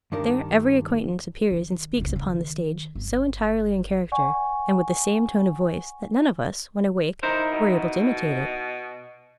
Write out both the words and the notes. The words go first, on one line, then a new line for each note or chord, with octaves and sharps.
There every acquaintance appears and speaks upon the stage, so entirely in character, and with the same tone of voice, that none of us, when awake, were able to imitate it.
G2 D#3 D4 A#4
D#3
F1 C#2
D#3
G1
D5 F#5 G#5 C#6
D#4 E4 A#4 C5
B2